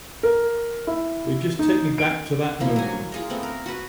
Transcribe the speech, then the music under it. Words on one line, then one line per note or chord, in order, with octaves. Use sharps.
They just take me back to that moment.
A#4
E4
D#4
D7
F3 A#3 E4
F#3 G#5
F4 G#4 A#4
A3 B3 C4
A#4
F#4 B4